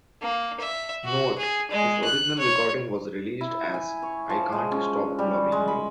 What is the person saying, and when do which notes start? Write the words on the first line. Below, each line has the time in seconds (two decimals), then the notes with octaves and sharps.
"Note": This original recording was released as "I Can't Stop Lovin' You".
0.22 A#3
0.59 E5
1.04 F#4
1.38 G#4
1.71 G#3
2.04 F#6
2.38 C#5
3.41 E4
3.74 G#5
4.03 C#5
4.30 F3
4.52 G#3
4.71 C#4
5.19 G3
5.52 G#3
5.68 B5